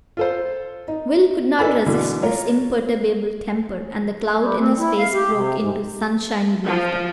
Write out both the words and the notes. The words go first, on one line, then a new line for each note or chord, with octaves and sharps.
Will could not resist this imperturbable temper, and the cloud in his face broke into sunshiny laughter.
F4 A4 C5
D#4
D4 D#4 A4 B4 G#5 B5
B2 D3 E3
F4 A#4 C#5
G3
C4
E4
F5
G4
C3
G#2
F3